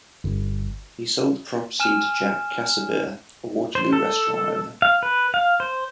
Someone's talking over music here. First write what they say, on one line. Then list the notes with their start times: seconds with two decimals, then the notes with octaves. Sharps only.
He sold the property to Jack Casebeer, a Waterloo restaurant owner.
0.24 G1
1.80 G#5 F6 E7
3.75 C5
3.93 A4
4.82 F5
5.03 B4
5.34 F5
5.60 C5